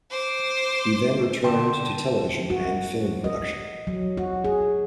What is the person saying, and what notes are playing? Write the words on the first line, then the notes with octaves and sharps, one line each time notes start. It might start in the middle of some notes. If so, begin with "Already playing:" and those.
He then returned to television and film production.
C5 D6
D3 G5 A5 C6
F#4
D#5
F#3
F#4
G#4